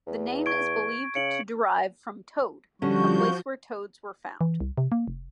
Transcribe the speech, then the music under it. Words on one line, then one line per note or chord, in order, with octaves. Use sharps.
The name is believed to derive from toad, a place where toads were found.
E2
C#6 G#6 D7
C#3 C#7 D7 F#7
D3 F3 G3 C#4 F#4 G6
E3
C2
C3
A#3
F1